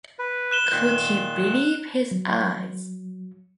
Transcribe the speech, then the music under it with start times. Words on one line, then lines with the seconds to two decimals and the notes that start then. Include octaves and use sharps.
Could he believe his eyes!
0.19 B4
0.51 F#6 E7 G7
0.72 A#2 D#3
2.11 F#3